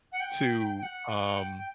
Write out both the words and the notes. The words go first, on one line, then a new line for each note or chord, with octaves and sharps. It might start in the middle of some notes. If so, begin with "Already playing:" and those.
to, um,
F#5
G5
G5
F#5
F#5
G5
G5